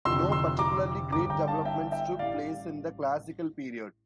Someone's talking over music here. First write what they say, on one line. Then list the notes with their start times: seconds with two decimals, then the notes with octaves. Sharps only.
No particularly great developments took place in the Classical Period.
0.05 F1 F2 D3 F3 C6 E6
0.32 C6 E6
0.59 A#5 D6
1.12 G1 G2 D3 A#5 D6
1.30 G5 A#5
1.48 F5 A5
1.65 E5 G5
1.92 E5 G5
2.19 A1 A2 G3 D5 F5